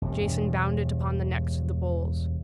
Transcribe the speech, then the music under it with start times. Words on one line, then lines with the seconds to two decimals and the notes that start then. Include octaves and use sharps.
Jason bound it upon the necks of the bulls.
0.02 E1 G2